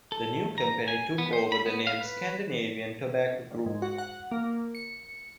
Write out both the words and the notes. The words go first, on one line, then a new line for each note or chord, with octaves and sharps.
The new company took over the name Scandinavian Tobacco Group.
A4
A#5
G#5
B3
C5
B5
B3
F5
B4
G#2
F#4
F#5
A#3
C#7